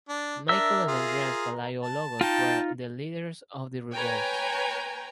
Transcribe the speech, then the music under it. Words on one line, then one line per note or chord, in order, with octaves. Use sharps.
Michael and Andreas Palaiologos were the leaders of the revolt.
D4
D4 A#4 E5 E6
F4 G#4
A5
D#4 F4 G5 A5
B4 C#5 G5 G#5 A#5